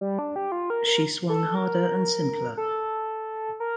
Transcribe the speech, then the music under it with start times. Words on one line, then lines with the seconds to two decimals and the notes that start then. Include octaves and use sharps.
She swung harder and simpler.
0.01 G3
0.19 D4
0.36 G4
0.52 F4
0.70 A#4
0.87 A#4
1.29 A4
1.55 A#4
2.57 A4
3.60 A#4